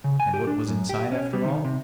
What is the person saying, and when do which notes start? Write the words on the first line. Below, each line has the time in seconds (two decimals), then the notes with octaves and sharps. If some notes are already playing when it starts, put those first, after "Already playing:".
And what was inside after all?
0.04 C#3
0.20 G#5
0.34 G4
0.47 D4
0.68 F#2
0.89 G4
1.12 C#4
1.33 G3
1.45 D#3
1.65 C3